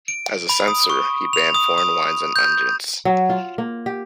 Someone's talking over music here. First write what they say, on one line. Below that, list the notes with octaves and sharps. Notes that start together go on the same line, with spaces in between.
As a censor, he banned foreign wines and unguents.
D7
B5
D#6
C#6
F7
D#6
D#6
G6
F#3
F4
A#3
G4